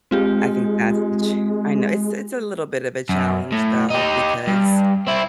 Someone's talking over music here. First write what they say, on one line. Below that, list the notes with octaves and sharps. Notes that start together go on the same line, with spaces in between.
I think that's the ch I know, it's it's a little bit of a challenge though, because
G#3 C4 F4 G4
F#2
A2
D#4 G4
G2
C4 E4